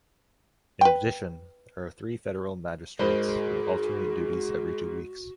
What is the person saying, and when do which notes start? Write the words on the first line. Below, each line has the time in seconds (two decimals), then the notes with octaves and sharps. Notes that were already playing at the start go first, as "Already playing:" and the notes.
In addition, there are three federal magistrates who alternate duties every two weeks.
0.81 B4 G5
2.99 G#2 G#3 F#4 G#4 A#4 C5 D#5 B5